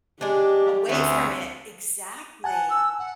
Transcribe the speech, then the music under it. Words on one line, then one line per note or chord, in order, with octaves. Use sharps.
away from it, exactly.
G#3 D4 G4
D2 A3 C4 C#4
F#5 G#5 A5 F#6
E6
F#5